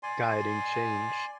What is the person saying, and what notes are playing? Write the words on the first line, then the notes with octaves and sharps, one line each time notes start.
guiding change,
D5 G#5 C6